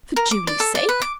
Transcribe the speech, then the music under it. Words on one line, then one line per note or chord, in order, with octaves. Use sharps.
"For Julie's sake!"
A#4
D6
D5
A4
D5
B4
D6